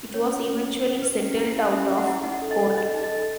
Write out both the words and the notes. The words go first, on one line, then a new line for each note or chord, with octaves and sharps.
It was eventually settled out of court.
C#4 C#5
C#4
C#4
C#4
C#4
B4
C#4
E4
E4
C#4 E5
C#4
F#5
E4
D#4 F#5
A4
D#5
A4
D#4 D#5
D#4
D#5
A4